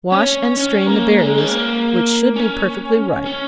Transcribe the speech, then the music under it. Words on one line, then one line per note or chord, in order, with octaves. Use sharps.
Wash and strain the berries, which should be perfectly ripe.
C#4
C#4
A#3
G#3
C#4
A#3
C#4
C#4